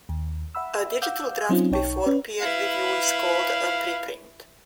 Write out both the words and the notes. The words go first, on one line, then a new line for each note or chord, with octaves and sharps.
A digital draft before peer review is called a preprint.
D#2
E5 F#5 B5 E6
F5 F#5 D6 E6 G6
F#3 C4 C#4 D#4 F4
B1 D#4 C#5 G5 A5 C#6
C#4 B4 C#5 D5
E4 B4 F5